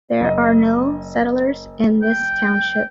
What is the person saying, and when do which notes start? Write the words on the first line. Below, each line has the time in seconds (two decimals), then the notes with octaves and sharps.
There are no settlers in this Township.
0.21 F#1 D#5
2.02 G5